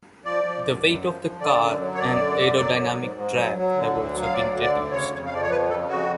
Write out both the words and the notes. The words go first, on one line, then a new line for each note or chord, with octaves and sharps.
The weight of the car and aerodynamic drag have also been reduced.
F3 D5
F3
F#2
F#2
F3
F3
D3 D5
F#2
F#3
C#5
F#2 D5
D3
F#2
F#3
F#3
G#2
G#2
F#3
F#3
D3
D2
F#3
F5
D2 D5
D3
D5
D2
C#3 C#5
F2
F5
F3 D5
C#5
F2 B4
C#3 A4
F2 F#4